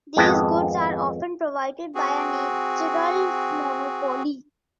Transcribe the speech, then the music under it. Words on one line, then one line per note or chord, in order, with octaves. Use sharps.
These goods are often provided by a natural monopoly.
G#1 F2 G#3 B3 G5 A5
C4 F#4 G#4